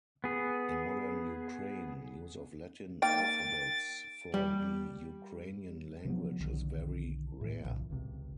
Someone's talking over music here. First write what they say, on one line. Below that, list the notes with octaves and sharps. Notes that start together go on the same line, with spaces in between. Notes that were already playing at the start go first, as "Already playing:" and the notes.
In modern Ukraine, use of Latin alphabets for the Ukrainian language is very rare.
B3 G#4
A#3 D#4 G5 A6 D7
G3
C3 F3 F#3 B3
B1 D3 D#3
A2 E3
B1 A#2 C#3
G#1 C#2 C3